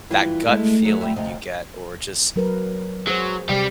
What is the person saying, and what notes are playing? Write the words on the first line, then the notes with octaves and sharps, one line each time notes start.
that gut feeling you get or just
E3 G3 E4 F4
G#3 A3 E4
F#3 A3
D2 G#2 G3 E5
D2 C3 D#5 F5
F#3 A#4 B4
F#3 G#4 C5
C3 G3 G4 C5